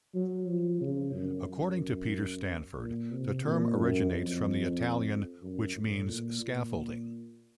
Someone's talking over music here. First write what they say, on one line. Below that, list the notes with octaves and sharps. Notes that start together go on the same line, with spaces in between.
According to Peter Stanford the term originates from the Italian ', which means scaffolding.
F#3
F3
C#3
F#2
F#2
A#2
C3
A#2
F#2
F2
F#2
A2
A#2
A#2